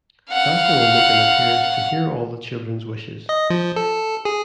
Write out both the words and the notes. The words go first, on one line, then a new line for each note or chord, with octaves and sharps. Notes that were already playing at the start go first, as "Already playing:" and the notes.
Santa will make an appearance to hear all the children's wishes.
F5 F#5
D#5
F3
A4
G#4